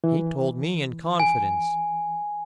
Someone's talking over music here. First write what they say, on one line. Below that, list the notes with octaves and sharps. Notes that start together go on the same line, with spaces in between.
"He told me in confidence."
E3
G#5